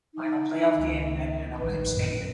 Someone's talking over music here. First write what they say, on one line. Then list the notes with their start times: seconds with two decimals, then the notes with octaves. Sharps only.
Final playoff game at Anaheim Stadium.
0.14 D#4
0.76 C#2 D#3
1.59 A1 D#3 B4
1.92 F#2 A#2